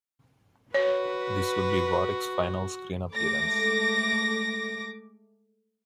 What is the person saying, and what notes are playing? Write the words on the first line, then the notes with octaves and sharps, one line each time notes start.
This would be Warrick's final screen appearance.
F#4 B4 C#5
G#3 A3 D6 A#6